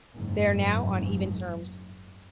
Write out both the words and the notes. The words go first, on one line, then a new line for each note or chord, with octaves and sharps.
They are now on even terms.
F#1 G#2